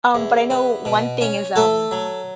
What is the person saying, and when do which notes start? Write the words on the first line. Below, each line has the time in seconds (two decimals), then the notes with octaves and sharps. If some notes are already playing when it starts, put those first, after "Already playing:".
um, but I know one thing is, um,
0.15 E2
0.50 B3
0.85 B2
1.21 C#4
1.56 A3 A4
1.91 F#3